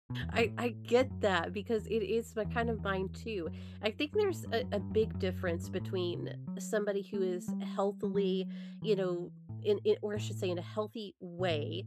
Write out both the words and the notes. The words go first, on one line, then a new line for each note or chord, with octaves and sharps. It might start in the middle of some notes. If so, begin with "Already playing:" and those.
I I get that because it is my kind of mine too. I think there's a a big difference between somebody who is healthily, you know, in in or I should say in a healthy way
B2
E2
F#2
B2
A2
G2
F#2
E2
E2
E2
E2
F#2
G2
A2
G2
F#2
G2
F#2
E2
F#2
F#2
G2
A2
C3
F#3
A3
G3
G3
F#3
E3
A2
A2
B2
A2